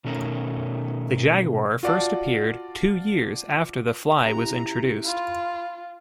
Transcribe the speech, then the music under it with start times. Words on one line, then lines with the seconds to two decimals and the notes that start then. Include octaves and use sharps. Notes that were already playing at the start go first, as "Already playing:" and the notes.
"The Jaguer" first appeared two years after "The Fly" was introduced.
0.05 B2 D#3 A3 C#4 A#4
1.83 F4 F#4 D5 F#5 A5
4.25 C#4 E4 G4 A#5
5.06 F4 B5 C6